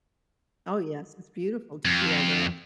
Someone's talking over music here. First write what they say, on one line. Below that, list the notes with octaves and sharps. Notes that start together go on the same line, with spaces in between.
Oh yes, it's beautiful to see all that.
F2